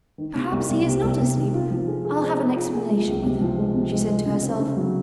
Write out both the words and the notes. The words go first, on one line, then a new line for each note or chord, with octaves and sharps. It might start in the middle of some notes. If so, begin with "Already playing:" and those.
"Perhaps he is not asleep; I'll have an explanation with him," she said to herself.
D#3
C3
C2
C2
C3
C2
C3
D#3
F4
F3
G#4
G#4
C4
G#4
F4
G#4
G#3
C#2
C3
F3
G#3
C3
G#3
G#3
C#3
C4
C#3
F#3